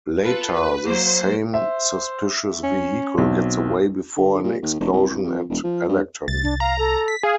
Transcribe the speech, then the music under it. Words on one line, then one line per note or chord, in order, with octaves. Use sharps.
Later, the same suspicious vehicle gets away before an explosion at Elekton.
F4 A4 B4
B4
F#3 A#3 C5
C5 E5
C#4
B1 C4
D3
A#2
D#2
F1
C2
C2
F2
E1
F3
G2
C2 A6
D4
F5 A#5
A4
B6
G#4 F5